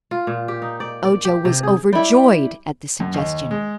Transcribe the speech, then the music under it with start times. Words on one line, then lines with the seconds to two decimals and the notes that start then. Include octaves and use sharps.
Ojo was overjoyed at this suggestion.
0.11 F4
0.27 A#2
0.48 G4
0.62 D#4
0.80 D5
1.05 D5
1.25 G4
1.45 C3
1.63 G#4
1.93 G3 E4
3.00 F#2
3.14 D#2
3.51 G#3